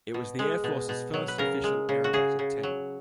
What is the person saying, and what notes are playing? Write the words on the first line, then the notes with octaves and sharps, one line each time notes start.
It was the air force's first official aerobatic team.
B2
G#3
B2
B2
F#3
B4
C#3 A#4
G#3
C#3
F#4
C#3 G#4
C#3
F#3